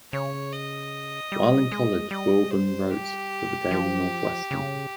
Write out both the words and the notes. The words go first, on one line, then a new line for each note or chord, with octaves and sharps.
While in college, Wilbon wrote for "The Daily Northwestern".
C#3 C#5
D#5
G3
G#3
G3 D#5
C5
G4
F3
C#3